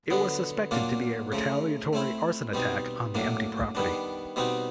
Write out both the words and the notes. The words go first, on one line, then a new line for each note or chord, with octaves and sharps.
It was suspected to be a retaliatory arson attack on the empty property.
D3 F#3 B3
A#2 F#3 A#3 D4 F4
C#3 F3 A3
A3 C4 E4
B2 G3 C4 D#4
A2 F#3 A#3 D4
D#3 G3 B3 D4
B2 G3 C4 D#4 F#4